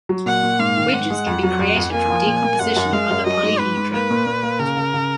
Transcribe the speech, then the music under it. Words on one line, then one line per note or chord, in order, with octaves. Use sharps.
Wedges can be created from decomposition of other polyhedra.
F#3
A#2 F#5
A#2
G#2 F5
D#3
G#2 F#5
G#3
F2
F#3
F2
F2
A#3 G#5
F3
A#2
A#3
F#2 F#5
F#2
G#3 F5
F#2
F#3 D#5
G#2
G#2 B4
G#2
A#3 B4
A#2
A#2
A#3
C#3 A#4
C#3
C#3